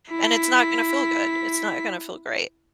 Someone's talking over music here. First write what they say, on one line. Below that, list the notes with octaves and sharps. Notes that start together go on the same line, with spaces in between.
And it's not gonna feel good, it's not gonna feel great.
E4 B6